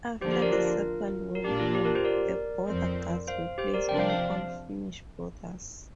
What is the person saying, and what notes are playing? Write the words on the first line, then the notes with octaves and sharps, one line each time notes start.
After the Second World War, the Border Guards were placed on all Finnish borders.
D3 F3 A#3 D4 G4 C5
G4 C5
A#4 D5
F4 A#4
A#4
A#2 A#3 D4 G4
F4
G4
F4 A#4
G4 C5
A#4 D5
F2 F3 C4
C5 F5
G4 C5
A#4 D5
C3 F3 D4 D5 G5
C5 F5
C5 F5